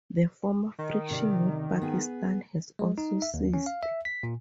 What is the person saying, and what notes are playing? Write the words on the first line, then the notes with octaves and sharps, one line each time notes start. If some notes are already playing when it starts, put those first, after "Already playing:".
The former friction with Pakistan has also ceased.
D#3
D2 C3 D5
B3 G#4
G#3
D#4
E5
D#2
C#4
F5
E5
B6
A#2